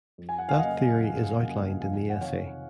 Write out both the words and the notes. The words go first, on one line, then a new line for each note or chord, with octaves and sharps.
That theory is outlined in the essay.
F2
G#5
F#5
F5 G#5
C#3 F#3 A#3 D#5 F#5
F2
C#3 F#3 A#3
F2 F5 G#5
F#5
C3 D#3 C#5 F5